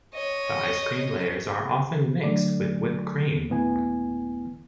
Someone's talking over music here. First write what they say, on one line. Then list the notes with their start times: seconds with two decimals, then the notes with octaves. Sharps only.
The ice cream layers are often mixed with whipped cream.
0.14 C#5 D#5
2.24 D3 F#3 A3 D5
3.50 D#2 A#2 A3 B3 E4 G#5